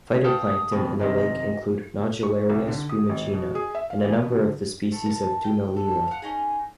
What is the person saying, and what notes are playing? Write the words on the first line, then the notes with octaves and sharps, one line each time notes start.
Phytoplankton in the lake includes "Nodularia spumigena" and a number of species of "Dunaliella".
A4 F5 G5 D#6
F2 B2
F#2 C3 D#3 D#5
C#6
C2
D3
D#6
G#1
B2
G#4
E5
F5
E2
B2
D3
A3
A#4 A5
G5
A4
F5 F#5
C#4 D#4 G#4